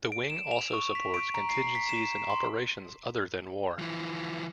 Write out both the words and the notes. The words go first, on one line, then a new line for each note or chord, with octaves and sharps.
The wing also supports contingencies and operations other than war.
D7
E7
F7
C#6
B6
D7
A#5
C7
B6
E7
C6
E3 F3